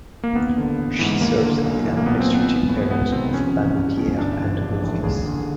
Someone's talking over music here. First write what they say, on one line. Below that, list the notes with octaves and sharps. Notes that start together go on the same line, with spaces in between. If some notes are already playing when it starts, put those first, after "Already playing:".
She serves the administrative areas of Lanaudière and Mauricie.
A#3
D#2 B3
D3
A1
G#2 E3
D#2 A#3
D3
B1
A2 E3
A#3
B1 B3
C4
A#2
B3
B1
A2 E3
C#2 B3
C3 D#3 C4
F2 C#4
C3 E3
C2
B2
G1 D4
G2 E3
A#1
A2 E3
D#2 G#4
D3